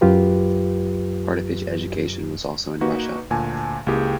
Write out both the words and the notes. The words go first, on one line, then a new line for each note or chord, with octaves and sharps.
Part of his education was also in Russia.
F#2 F#3 F4 G4 B4
A#3 D#4 F#4 B4
D2 A#2 G#5 A5
C#2 A#3 E4 G4 G#4 G5